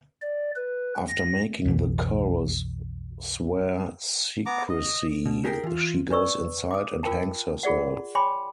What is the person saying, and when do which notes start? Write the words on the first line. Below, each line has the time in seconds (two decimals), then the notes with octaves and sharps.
After making the chorus swear secrecy, she goes inside and hangs herself.
0.21 D5
0.55 B4
1.08 A#6
1.65 B1 F2 B2 E3
4.46 B3 A#5 D6
4.69 D#5
5.26 B2
5.44 D#4 G4 G#4 A#4 G5
5.63 E3 F4
6.10 D4 B4 D5 C#6 E6
6.71 D6 D#6
7.03 F4 A#4 G5 A5
7.63 F4 G#4 D5 F#5
8.15 C#5 G5 G#5 B5 C6 D6